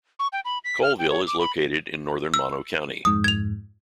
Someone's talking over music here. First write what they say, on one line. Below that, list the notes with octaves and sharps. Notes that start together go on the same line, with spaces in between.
Coleville is located in northern Mono County.
C#6
G5
B5
B6
F6
G5
C#5
D6
B5
E6
F2 G#2 D#6
G#6 F7